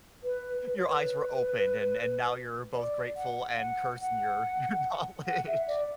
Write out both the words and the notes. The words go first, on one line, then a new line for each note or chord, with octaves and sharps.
Your eyes were opened, and and now you’re both grateful and cursing your your knowledge.
B4
B4
C#5
B4
D5
F#5
F#5
F#5
F#5
E5
D5